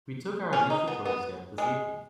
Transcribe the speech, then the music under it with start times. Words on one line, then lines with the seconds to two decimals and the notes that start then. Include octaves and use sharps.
We took our initiatory step this evening.
0.53 C#4
0.70 D#4
0.88 B3
1.05 B3
1.58 G#3